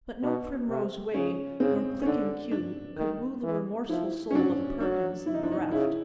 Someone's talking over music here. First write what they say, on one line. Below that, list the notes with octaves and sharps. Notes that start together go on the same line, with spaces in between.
But no primrose way nor clicking cue could woo the remorseful soul of Perkins the bereft.
B2 B3
C3
C#3 C#4
C#3 C4
C#4
D3 D4
D4
D#3
E3
F3 E4
C#4
F#3 D4
F#3 D4
E4
D#4
D4
D#4
C#3 E4